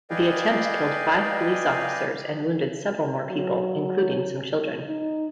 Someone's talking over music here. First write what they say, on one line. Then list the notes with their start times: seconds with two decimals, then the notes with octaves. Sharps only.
The attempt killed five police officers and wounded several more people, including some children.
0.10 B4 D5 D#5 F5 G5 G#5
3.27 F#3
4.88 D#4